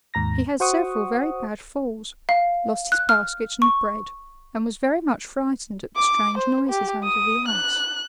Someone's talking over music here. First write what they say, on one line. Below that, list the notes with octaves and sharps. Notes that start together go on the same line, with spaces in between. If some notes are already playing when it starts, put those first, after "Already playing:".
He had several very bad falls, lost his basket and bread, and was very much frightened at the strange noises under the ice.
D#2 G#2 A#5 A#6
F#4 C5 F#5 C#6 D#6
F5
F#6
F6
C#6
D6
C5
G4
D#6
F#6